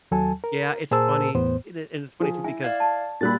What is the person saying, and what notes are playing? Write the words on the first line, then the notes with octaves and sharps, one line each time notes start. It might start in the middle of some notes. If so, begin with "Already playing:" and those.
Yeah, it's funny and i it's funny too because,
D#2 F#3 A4 G#5 A5
A#4
A#2 G#4 A#4 C5 A5 E6
E2 A2 B3 C5
F3 G#4
E4 E5 G#5
D5 F5 G#6
A5
A#2 G3 A#3 B5 F#6 A6